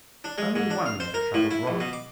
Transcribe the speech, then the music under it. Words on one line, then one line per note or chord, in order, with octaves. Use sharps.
Only one matter troubled Robin.
D4
G#3
G#2
D4
F5
C5
A#4
A2
E4
A#1
B2
D6